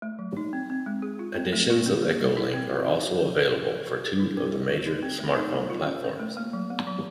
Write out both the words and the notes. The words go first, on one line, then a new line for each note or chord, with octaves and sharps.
Editions of EchoLink are also available for two of the major smartphone platforms.
A3
F#3
D#4
C4
C4
G#3
G#4
F4
C4
A3
F4
C#4
A#3
G3
E4
C4
F#4
D#4
F#4
C#4
F4
C#4
A4
F#4
G#4
E4
C4
G3
F#4
D#4
C4
A3
D#4
B3
F4
C#4
C#4
A3
A#3
F#3
B3
F#3